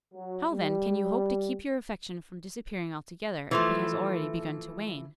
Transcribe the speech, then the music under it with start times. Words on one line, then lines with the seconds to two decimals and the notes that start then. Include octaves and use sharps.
How, then, can you hope to keep your affection from disappearing altogether if it has already begun to wane?
0.14 F#3
0.50 G3
3.51 E3 F3 A3